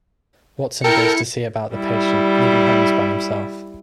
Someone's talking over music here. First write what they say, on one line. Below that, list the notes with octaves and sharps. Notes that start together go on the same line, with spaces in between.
Watson goes to see about the patient, leaving Holmes by himself.
E4 A4 A#4 G5 C#7
G3 E4